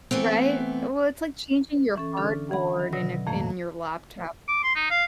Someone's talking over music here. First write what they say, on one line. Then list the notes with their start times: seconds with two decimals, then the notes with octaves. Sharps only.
Right? Well, it's like changing your hardboard in it in your laptop.
0.11 E3 A3 B3 C4
1.96 E3 C#4 A4
2.17 D3 D4 A4 F6
2.51 E3 F#5 B5
2.80 D#3
2.93 B2 D3 F#3 E6 A#6
3.27 F2 A2 D#3 F3 A3 A#3
4.48 D6
4.63 C6
4.75 D#4
4.91 F5